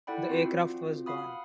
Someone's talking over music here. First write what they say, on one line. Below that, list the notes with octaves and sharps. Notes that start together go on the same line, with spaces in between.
The aircraft was gone.
E4 A4 D5 F#5 G5 B5
C4 F4 F#4
F5 F#5 B5 D#6